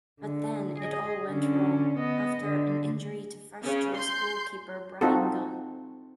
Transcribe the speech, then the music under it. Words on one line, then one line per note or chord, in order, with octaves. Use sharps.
But then it all went wrong, after an injury to first-choice goalkeeper Bryan Gunn.
D3
G#4 D#5
D3 C#4
B3 D#5
D3
C#3
C6 G6
C4 D#4 F4 F#4 A4